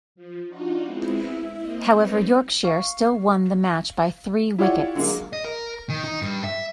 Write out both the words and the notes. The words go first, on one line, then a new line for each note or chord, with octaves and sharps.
However, Yorkshire still won the match by three wickets.
F3
D4 D#4 F4 F#4
G#3 B3 C4 E4
E4 E5
A#3 C4 D#5
G3 C4 D#4 B4 C#5
F5 C#6
E4 F4 G4 C#5 D5 F#5
D3 F#3 G#3 A#3
D#5
A#4
D#3
D#4
G2
E5